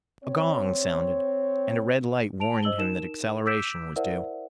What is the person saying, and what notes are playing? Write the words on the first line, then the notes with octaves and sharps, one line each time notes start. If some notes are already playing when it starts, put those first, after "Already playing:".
A gong sounded, and a red light warned him that acceleration was due.
C4 C#5
A5 D7 F7
C5 D#5 E6 F#7 G7
D#4 A#4 E7
D6 E6 G6 B6 D7 E7
E4 A#4 C5 D5 E5 F#5